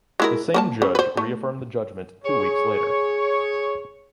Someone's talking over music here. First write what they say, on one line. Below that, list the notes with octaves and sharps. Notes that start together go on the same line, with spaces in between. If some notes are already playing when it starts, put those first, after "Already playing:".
The same judge reaffirmed the judgment two weeks later.
G#3 E4 A#4
A#3 A#4 A5
C#3
B4 C5
A3
G#4 C#5